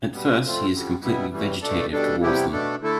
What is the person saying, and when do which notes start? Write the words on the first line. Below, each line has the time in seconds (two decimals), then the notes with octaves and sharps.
At first, he is completely vegetative towards them.
0.13 B2 G3 B3
0.42 F2 D3 A3 C4 F4
0.72 F2 D3 G3
1.02 B2 G3 B3 E4
1.32 A2 E3 G3
1.62 B2 A3 D4 A4
1.91 B2 G3 D4 A4
2.22 C3 G3 B3 E4 G4
2.51 B2 A3 D4 A4
2.81 D3 A3 E4 A4